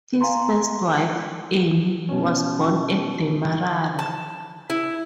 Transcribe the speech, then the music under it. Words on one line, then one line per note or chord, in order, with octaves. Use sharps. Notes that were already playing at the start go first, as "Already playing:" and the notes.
His first wife, Annie, was born at Demarara.
F5 G#5 A#5 C6
B2 C#4
A5
E4